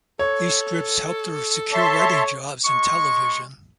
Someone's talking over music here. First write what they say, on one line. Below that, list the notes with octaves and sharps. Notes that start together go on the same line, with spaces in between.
These scripts helped her secure writing jobs in television.
A4 C#5
C#5 E5 A5 C6
G#3 C#6